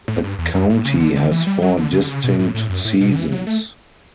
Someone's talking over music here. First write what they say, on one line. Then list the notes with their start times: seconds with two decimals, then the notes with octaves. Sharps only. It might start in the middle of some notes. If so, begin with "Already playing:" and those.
The county has four distinct seasons.
0.08 A2
0.24 G2
0.39 E2
0.54 F#2
0.70 A2
0.85 C#3
1.00 D3
1.16 D3
1.31 E3
1.47 G3
1.62 F#3
1.77 D3
1.93 C#3
2.01 D3
2.08 C#3
2.24 B2
2.39 A2
2.55 A2
2.70 F#2
2.85 A2
3.01 B2
3.12 D3
3.16 E3
3.32 F#3
3.47 A3